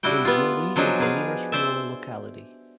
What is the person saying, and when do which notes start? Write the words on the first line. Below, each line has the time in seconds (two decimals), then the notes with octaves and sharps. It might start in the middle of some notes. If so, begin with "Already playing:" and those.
Zozuli is the nearest rural locality.
0.03 G3 D4 E4 F#4 G5
0.25 B3 F4
0.76 F3 F#3 D4 D#4 G#4
1.00 G#4 B4 F5
1.52 C5 D5 E5